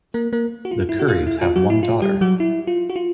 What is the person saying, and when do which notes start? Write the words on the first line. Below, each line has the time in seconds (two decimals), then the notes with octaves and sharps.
The Currys have one daughter.
0.14 A#3 A#4
0.33 A#3 A#4
0.65 F#4
0.71 F4
0.89 E4
0.99 F#4
1.08 F4
1.27 E4
1.41 F4
1.56 F#3 F#4
1.70 E4
1.83 F4
2.02 G3 G4
2.21 F#3 F#4
2.40 E4
2.67 F4
2.90 F#4
2.96 F4